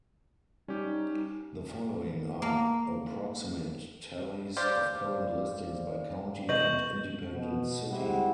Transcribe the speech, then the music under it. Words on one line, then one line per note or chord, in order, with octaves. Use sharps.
The following are approximate tallies of current listings by county and independent city.
G3 C#4 D#4 G4
A#3
G4 C5 D5 F5
C2 B4 D#5 C#6 G6 F#7
B2
G3 G#3 C4 E4 G4 F#5